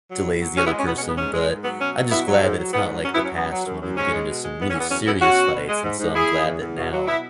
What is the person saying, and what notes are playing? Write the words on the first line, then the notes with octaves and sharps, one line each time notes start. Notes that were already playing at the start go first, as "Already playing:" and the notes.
delays the other person, but I just glad that it's not like the past when we would get into some really serious fights, and so, I'm glad that now,
F#3
B2
F#3
B2 C#4 F#4
B3 E4
G#3
C#4
B2 B3
C#4
G#3
B3
G#2 C#4
G#3
G#2
F#3 B3
B2 C#4
F#3
B2 B3 E4
F#3
G#2
F#3
G#2 B3
F#3
F#2 C#4
B3 E4
F#3 C#4
F#2 B3
F#3
F#2
F#2
G#2 C#4
G#3
B2
G#3
E2 B3
C#4
E2
B3
F#2 C#4
F#2 B3 E4
B2 C#4 F#4
F#3
B2
G#3
G#2
G#2
E2 E4 G#4
E2
E2
E2
B2
F#3
B2 B3 E4